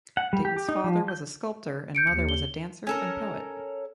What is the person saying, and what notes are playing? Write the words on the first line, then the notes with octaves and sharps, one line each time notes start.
Dayton's father was a sculptor and mother was a dancer and poet.
F#5
G3
G4
G4
D#4
F3
G6
G6 C#7 D7
D#2 C#7
G7
C#4 A4 A#4